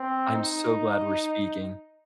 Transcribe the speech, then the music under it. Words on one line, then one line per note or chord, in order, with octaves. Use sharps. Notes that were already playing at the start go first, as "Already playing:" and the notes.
I'm so glad we're speaking.
Already playing: C4
D#4